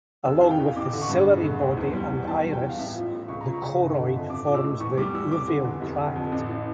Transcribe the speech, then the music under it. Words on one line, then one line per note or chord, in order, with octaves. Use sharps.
Along with the ciliary body and iris, the choroid forms the uveal tract.
F1 E6
E3 F5
G5
E2
A1 D6
D3
C#6
G2
E1
D3
D2
E2
G3
E3
E2 A5
G3
G5
E3
F5
A1 E5
F3
A2
C#2 C#6
A#5
F3
C#6
C#3
G1
D3
F2
A1 D6
F3 D6
E6
A2
E2 C#6
G3 D6
E3 E6
F1 D6
D3
E2
F1
D3
F2
A1
E3